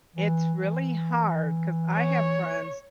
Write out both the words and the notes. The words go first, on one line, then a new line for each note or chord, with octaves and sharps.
it's really hard 'cause I have friends
E3
E3
C#5